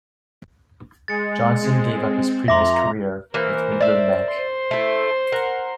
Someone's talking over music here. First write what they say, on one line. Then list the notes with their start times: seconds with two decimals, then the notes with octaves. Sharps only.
Johnson gave up his previous career with Midland Bank.
1.08 G#3 A6 C#7
1.61 G#3 C4
2.48 F2 E5 A#5 C6 D6 A#6
3.34 E3 A#3 A#4 C5
3.81 D5 E5
4.32 C5 C6
4.71 A3 E4
5.32 A#4 F#5